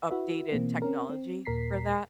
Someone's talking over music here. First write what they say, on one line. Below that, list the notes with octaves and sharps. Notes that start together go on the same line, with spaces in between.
updated technology for that.
E4 F#4 B4 E5
B2 E3 A#3 C4
C4 C#4 A#4
C4
D#2 A#2 A#4 A#5 B6 C7